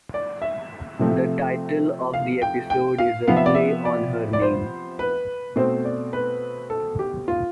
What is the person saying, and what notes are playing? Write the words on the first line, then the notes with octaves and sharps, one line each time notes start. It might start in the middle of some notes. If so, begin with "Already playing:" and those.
The title of the episode is a play on her name.
D5
E5
C3 F3 A3 C4
F5
G5
G5
F5
C3 F3 B3 F5
E5
D5
E5
D5
D5
C5
B4
B2 A3 C4 C5
D5
B4
A4
G4
F4